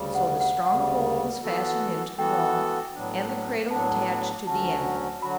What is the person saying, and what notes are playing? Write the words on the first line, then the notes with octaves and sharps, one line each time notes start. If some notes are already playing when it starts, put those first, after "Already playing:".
So the strong pole was fastened into the wall, and the cradle attached to the end.
Already playing: D2 C#3 G3
F#5
F#5
D2 C#3 G3 F#5
E3 B3 F#4 A4
E3 B3 F#4 A4 G5
A2 F#3 B3 D4
A2 F#3 B3 D4 A5
D2 D3 F#3 C#4 F#4 A5
D3 F#3 F#4 B5